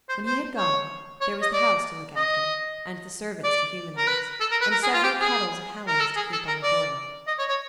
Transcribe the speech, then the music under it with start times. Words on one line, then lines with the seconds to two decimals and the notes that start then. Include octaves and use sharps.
When he had gone, there was the house to look after, and the servants to humanize, and several kettles of Helen's to keep on the boil.
0.09 C5
0.25 C5
0.57 C#5
1.21 C#5
1.42 D#5
1.53 D5
2.16 D#5
3.44 D5
3.97 A#4
4.07 B4
4.40 A4
4.51 A#4
4.61 B4
4.71 A#4
4.83 G#4
4.93 F4
5.03 G4
5.20 G#4
5.87 A#4
6.00 A4
6.16 G#4
6.32 A4
6.47 A#4
6.63 D5
7.27 D#5
7.38 C#5
7.48 C#5